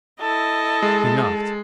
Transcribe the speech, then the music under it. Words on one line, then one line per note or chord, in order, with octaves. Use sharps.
He knocked.
E4 A4 D#5
G#3